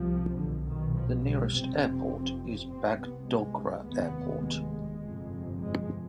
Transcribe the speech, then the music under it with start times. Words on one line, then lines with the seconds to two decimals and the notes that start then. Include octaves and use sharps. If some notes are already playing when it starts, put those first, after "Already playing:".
The nearest airport is Bagdogra airport.
Already playing: C2 C3 F3
0.36 B1 B2 D3
0.65 D#3
0.94 F3
1.23 G3
1.52 F1 F2 C3 C4
2.69 C2 C3 C4
2.98 B3
3.27 G#3
3.85 F1 D#2 B3
4.44 G#3
5.02 G1 F2 C3
5.60 G#3